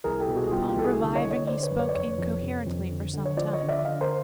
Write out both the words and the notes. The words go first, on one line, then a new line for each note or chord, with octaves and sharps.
Upon reviving he spoke incoherently for some time.
C2 G#4 A#4
G4 A4
B2
F#4 G#4
G#4
G3 F4 G4
F4 G4
C2 A4
F#4 G#4
D3
C#5 D#5
D3
C#5 D#5
D3 C5 D5
B4 C#5
F#2
B4 C#5
D5
F1 B4 C#5
F2
C3
F2
D3
D3
C#5
F3 C5 D5
C#5 D#5
D3
D5 E5
D3 D#5 F5
A#4 C5